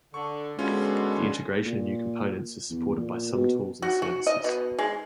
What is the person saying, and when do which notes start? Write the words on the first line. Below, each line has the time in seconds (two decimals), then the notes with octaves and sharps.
The integration of new components is supported by some tools and services.
0.14 D3 C#6
0.59 B2 D3 G#3 C#4 F4
1.66 A#2
2.70 E2
2.95 A#2
3.33 B2
3.82 F#4
4.02 F#4
4.27 D#5
4.44 B2
4.79 G#3